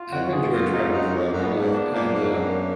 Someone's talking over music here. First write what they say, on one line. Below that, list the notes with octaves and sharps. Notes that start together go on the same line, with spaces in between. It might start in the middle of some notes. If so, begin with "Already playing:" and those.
I've enjoyed travel throughout my life, and, uh,
Already playing: F4
F2 F#4
G#2 G#4
F#2 F4
F2 D#4
F#2 D#4
F2
F#2 A#3
A#2 B3
G#2
D4
D4
A#2 A#3
G#2 A#3
F#2